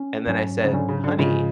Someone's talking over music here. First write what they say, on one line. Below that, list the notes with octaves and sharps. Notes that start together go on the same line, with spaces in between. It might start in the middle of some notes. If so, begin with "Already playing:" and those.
and then I said, "Honey,
Already playing: C#4
G#2 F#3 C#4
C#3
G#2 D3 F#3 C#4
C#3
D3
G#2 C#3 F3 G#3 C#4